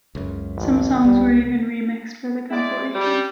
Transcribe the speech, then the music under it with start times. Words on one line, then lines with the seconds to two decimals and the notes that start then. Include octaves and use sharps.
Some songs were even re-mixed for the compilation.
0.15 C#2 F#2
0.57 A1
1.04 C#2 G3
2.50 G#3 E4 D5
2.95 G3